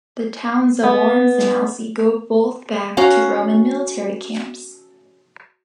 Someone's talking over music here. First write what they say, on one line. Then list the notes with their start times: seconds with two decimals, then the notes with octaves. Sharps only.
The towns of Worms and Alzey go both back to Roman military camps.
0.84 B3
2.97 C#4 F#4 F5 A#5